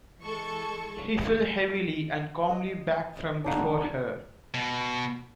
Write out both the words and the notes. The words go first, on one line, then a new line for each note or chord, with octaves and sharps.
He fell heavily and calmly back from before her.
E3 G#3 A4 C#6
D#5
D4 D#4 F#5
B2